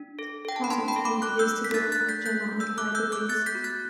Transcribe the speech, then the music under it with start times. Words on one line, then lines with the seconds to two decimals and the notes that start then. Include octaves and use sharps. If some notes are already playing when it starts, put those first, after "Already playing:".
Cosmids can be used to build genomic libraries.
Already playing: D4
0.19 A4
0.45 A4 G5
0.56 A5
0.64 B5
0.70 D4 A5 C6
0.88 G5 B5
0.96 A4
1.05 B5 D6
1.22 A3 D6 F#6
1.39 E6 G6
1.48 A3
1.64 B6
1.74 D4 F#6 A6
1.92 F#6 A6
2.01 A3
2.09 G6 B6
2.26 A3 G6 B6
2.52 A3
2.60 E6 G6
2.78 A3 D6 F#6
2.95 E6 G6
3.03 A3
3.12 D6 F#6
3.29 B3 F#6 A6
3.46 G6 B6
3.55 F#4
3.64 F#6 A6